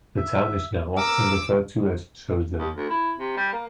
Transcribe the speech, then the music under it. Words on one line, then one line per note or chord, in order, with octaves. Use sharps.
The town is now often referred to as 'Zozo.
E5
A#4 D6 E6
D#2
D2
E4
C3
G3
A#3